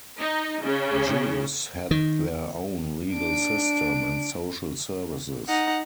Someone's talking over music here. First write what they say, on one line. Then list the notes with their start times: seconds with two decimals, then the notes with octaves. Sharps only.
Jews had their own legal system and social services.
0.19 D#4
0.63 C#3
1.91 D#3
3.13 D4 D7
5.48 D#4 F#5 A#5